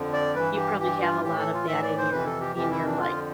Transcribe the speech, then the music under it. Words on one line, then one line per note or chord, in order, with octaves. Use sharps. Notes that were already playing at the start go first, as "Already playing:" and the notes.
you probably have a lot of that in your in your life.
Already playing: F2 D3 F3
D5
G2 E3 B4
G4
G2 E3 G4
F4
A2 E3 G4
A4
F4
A2 E3 E5
D5
C5
F2 C3 E3 B4
A4
G4
F2 C3 E3 G4
E4
D4
F2 D3 F3 F4